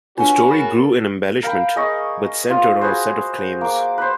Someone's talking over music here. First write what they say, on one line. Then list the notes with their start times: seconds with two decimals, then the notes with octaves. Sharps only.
The story grew in embellishment but centred on a set of claims.
0.18 C#4 D4 F4 F#4 B4 F#5 G#5
0.51 G#4 A#4 B5 A6
1.43 A#4 F5 G5 B5
1.76 G#4 D#5 C#6
2.50 F4 C5
2.81 F#4 G#4 B4 C5
3.61 A#3 D6
3.98 B4 C5